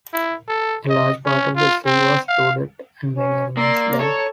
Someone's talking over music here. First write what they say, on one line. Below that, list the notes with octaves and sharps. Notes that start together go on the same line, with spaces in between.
A large part of the zoo was flooded and many animals died.
E4
A4
D#5
C#4
F4
C4
F5
C#4
A#3 D5 C6 E6
A4 C#5 A#5